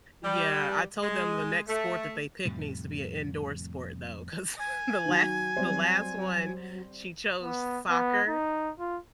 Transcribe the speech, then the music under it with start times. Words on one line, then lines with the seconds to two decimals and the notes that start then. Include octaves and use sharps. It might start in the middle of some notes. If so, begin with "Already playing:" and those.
Yeah, I told them the next sport that they picked needs to be a indoor sport though, 'cause the la the last one, she chose soccer,
0.24 G3
1.01 G#3
1.68 A3
2.45 F2 A2 C3 G3
4.59 G#5
5.05 D#3 F#3
5.57 F#3 G3 C4 C5
7.43 B3
7.89 B3
8.28 D#4
8.80 F4